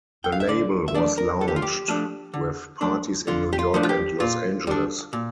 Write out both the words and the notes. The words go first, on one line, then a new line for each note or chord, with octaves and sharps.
The label was launched with parties in New York and Los Angeles.
G5
F5
E5
D3 D5
E5
F3 A3 D4 D5
A#4
D3 A4
G4
F4
G4
F3 A3 D4
D3
F3 A3 D4
D3 F4
G4
F4
F3 A3 D4
F4
G4
A#2 F4
G3 D4
A#2